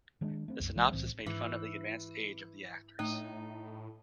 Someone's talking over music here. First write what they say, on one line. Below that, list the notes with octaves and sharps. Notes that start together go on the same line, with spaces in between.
The synopsis made fun of the advanced age of the actors.
D#3 G#3 D4
A3 C4
C2 F#2
B1 E3 G#3
C2 A2 E3 C4
G#2 E3
A2 A3 D#4